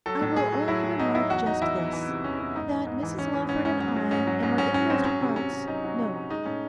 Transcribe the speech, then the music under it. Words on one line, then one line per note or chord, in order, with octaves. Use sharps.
I will only remark just this--that Mrs Lawford and I, in our inmost hearts, know.
F#3 A4
A2
A2 G#4
F#3
F#3 E4
A2
F#3 D#4
F#3 E4
E2 F#4
E2 D#4
E3 E4
E2
E3
C3
E2 C#4
E2 C#4
G#2 D#4
E3
G#2
E3
E3 C#4
E3
G#2 C#4
G#2 C#4
F#3 C#4
F#3
G#2 C#4
F#3
G#2 C#4
G#2 C#4
F#3 C#4
F#3 C4
F#3 C#4
C3
C3 C#4
C3
F#3 D#4
F#3
C3
F#3
G#3 D#4
A2 C#4